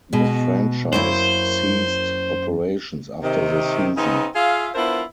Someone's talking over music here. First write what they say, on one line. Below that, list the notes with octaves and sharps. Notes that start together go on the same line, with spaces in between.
The franchise ceased operations after the season.
B2 G#3
F#2 A#3 E4 C5
C3 D#3
C#3 B3 C4 D#4
F4 G#4 E5 F5
B3 D4 E4 F4 A#4 C5